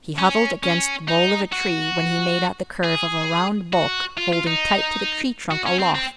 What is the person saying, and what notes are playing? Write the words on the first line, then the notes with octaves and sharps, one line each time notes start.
He huddled against the bole of a tree when he made out the curve of a round bulk holding tight to the tree trunk aloft.
C#4
C#4
D#4
F#4
G#4
F#4
F4
F4
D#4
F#4
C#4
C4
C4